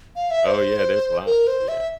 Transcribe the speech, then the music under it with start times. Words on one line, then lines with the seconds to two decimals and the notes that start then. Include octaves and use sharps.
Oh, yeah, there's lots, yes.
0.16 F5
0.31 E5
0.46 C5
1.26 A#4
1.47 C5
1.68 E5